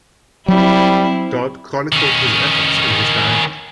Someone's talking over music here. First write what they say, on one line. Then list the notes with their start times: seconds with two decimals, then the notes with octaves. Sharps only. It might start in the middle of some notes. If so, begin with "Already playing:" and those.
Dodd chronicled his efforts in his diary.
0.48 F#3 G3 C4 E4
1.93 D#3 C#4